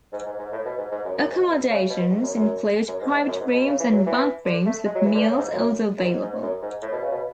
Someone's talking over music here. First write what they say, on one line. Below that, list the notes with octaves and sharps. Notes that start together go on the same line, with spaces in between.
Accommodations include private rooms and bunkrooms, with meals also available.
G#2
G#2
G#2
A2
B2
G#2
G#2
F#2
F#2
G#2
B2
C#3
B2
G#2
F#2
F#2
F#2
G#2
G#2
F#2
G#2
B2
C#3
E3
F#3
E3
D3
A3
G#3
F#3
E3
D3
C#3
G#2
F#2
F#2
G#2
G#2
F#2
G#2
A2
B2
C#3
B2